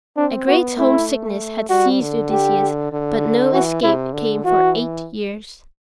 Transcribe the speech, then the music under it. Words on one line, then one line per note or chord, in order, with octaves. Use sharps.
A great homesickness had seized Odysseus, but no escape came for eight years.
C4 D4
B3 F#4
A3 E4
G3 F#4
D3
G4
D3
E3 F#4
C3 E4
D3
E3 F#4